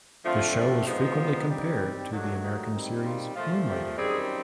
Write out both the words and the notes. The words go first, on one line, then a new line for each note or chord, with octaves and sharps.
The show was frequently compared to the American series "Moonlighting".
D3 F3 A3 C4 F4
A#2 F3 G#3 B3 D#4
D#4
D#3 G3 C4
G2 D#3 F#3 A3 D4
D#4
D#3 G3 C4
F4
A#2 F3 A3 F4
G4
F#2 D#3 G3 C4 G#4